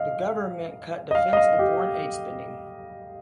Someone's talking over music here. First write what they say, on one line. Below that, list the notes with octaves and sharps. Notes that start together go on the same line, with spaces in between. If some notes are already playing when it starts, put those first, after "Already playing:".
The government cut defence and foreign aid spending.
Already playing: D#5 F5
D#5
F5
D#5
F5
G4